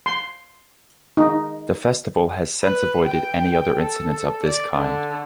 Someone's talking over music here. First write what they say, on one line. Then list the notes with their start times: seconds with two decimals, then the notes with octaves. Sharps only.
The festival has since avoided any other incidents of this kind.
0.06 C6
1.17 D#4
2.63 B4
3.05 G5
3.79 A4
4.44 D5
4.76 D3